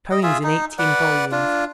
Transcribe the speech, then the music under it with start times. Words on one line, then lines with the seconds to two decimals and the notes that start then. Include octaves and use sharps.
Poems in eighteen volumes.
0.11 D#5
0.23 F4 G#4 E5
0.44 D#4
0.79 B4 D5 F#5
1.32 D4 F4